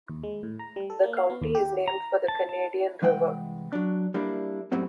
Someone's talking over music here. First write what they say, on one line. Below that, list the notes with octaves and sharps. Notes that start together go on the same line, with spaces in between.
The county is named for the Canadian River.
D#2
G#3
A2
A#5
G3
A4
A#3
F5
B3
D#2
G4
A#5
A5
A5
C2 E3 G#3 F#5 G5
F#3 D4
G3 A#3 D4 E4
F#2 A2 G3 C4 F#4